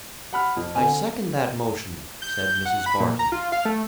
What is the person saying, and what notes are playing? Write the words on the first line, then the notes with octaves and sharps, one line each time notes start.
"I second that motion," said Mrs. Barton.
F#5 B5 F6
F2
D3 C4 G#5
G6
F#5
B5
A#2
A#5
F4
F5
A3